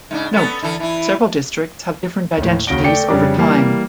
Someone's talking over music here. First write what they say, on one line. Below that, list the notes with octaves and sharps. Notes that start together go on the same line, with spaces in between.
Note: several districts have different identities over time.
G#2 C#3 D4
B3 C#4 A4
D3 E3 A4
E3 E4
D#2 A2
D#2 C#3 F#4 A#6 D7 G7
A3 D5 G5 C#7
F2 C#3 G3 D4 D6
E3 G3 A#3